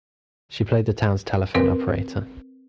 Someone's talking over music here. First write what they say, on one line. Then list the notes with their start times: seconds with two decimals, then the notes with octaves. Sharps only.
She played the town's telephone operator.
1.55 C4 A#4 B4